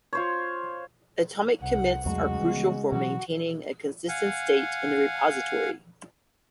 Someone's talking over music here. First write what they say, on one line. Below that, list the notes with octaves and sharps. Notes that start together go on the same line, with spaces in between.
Atomic commits are crucial for maintaining a consistent state in the repository.
F4 C5 C#5
C2 F#5
E2 C#3 F#3 G#3 A3 F#4
E3 G3 B3
B2 E3 F#3 F#4
F5 F#5 G#5